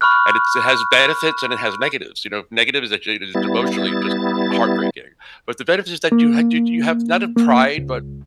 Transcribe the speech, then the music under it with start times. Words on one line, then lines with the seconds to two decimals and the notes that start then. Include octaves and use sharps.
and it's it has benefits, and it has negatives, you know, negative is a change that it's emotionally just heartbreaking, but the benefit is that you had you you have not a pride, but
0.01 B5 C#6 F6 F#6
3.35 G3 B3 E4 A6
6.12 A#3
7.36 A#3
7.78 C#2